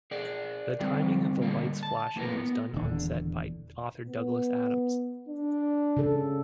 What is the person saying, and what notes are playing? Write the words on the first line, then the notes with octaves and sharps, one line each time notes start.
The timing of the light's flashing was done on set by author Douglas Adams.
G#4 A#4 D5
D3 G3 C4
D3 G3 A#3
A5
F3 A#3 B3 E4 A#4
B3
D#1 E2 D3 D4
B3
D4
C#3 A4